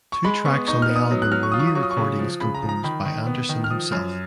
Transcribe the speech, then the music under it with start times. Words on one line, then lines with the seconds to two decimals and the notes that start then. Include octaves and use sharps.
Two tracks on the album were new recordings composed by Anderson himself.
0.12 C#6
0.25 G#3 B5
0.45 B3 C#6
0.67 D#4 C#6
0.82 F6
0.89 B3
0.96 D#6
1.11 F#3
1.22 F#6
1.32 F#3 F6
1.43 C#6
1.52 F4 D#6
1.59 C#6
1.67 D#6
1.75 F#3 C#6
1.83 D#6
1.91 C#6
1.97 C#3
2.19 F3
2.41 C#3 B5
2.55 A#5
2.62 F3
2.69 A#5
2.84 D#3 B5
3.05 D#3
3.27 B3
3.49 D#3
3.64 F6
3.70 F3 D#6
3.91 F#2 F6